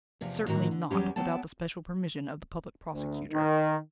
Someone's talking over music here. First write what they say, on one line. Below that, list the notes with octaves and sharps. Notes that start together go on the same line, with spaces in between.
"Certainly not, without the special permission of the Public Prosecutor."
E2 C3 F3
A2 D3 D#3 F#4 A#5
D3
E2 F#3 G3 C#4 G4
F#3 B3 G5 A5
D2
D#3